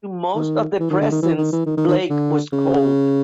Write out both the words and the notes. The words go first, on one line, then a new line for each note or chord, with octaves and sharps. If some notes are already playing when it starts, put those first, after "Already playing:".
To most of the presents Blake was cold.
D#3
E3
D#3
D3
D#3
E3
D#3
E3
D#3
D#3
D#3
D3
C#3